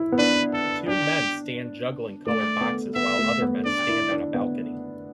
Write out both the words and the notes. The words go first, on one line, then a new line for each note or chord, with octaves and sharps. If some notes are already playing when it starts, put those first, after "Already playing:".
Two men stand juggling colored boxes while other men stand on a balcony.
Already playing: E4
B3
D4 B4
A4
D4 G4
A3 D5
B3
B3 E5
A3
B3
D4 D5
E4
D4
B3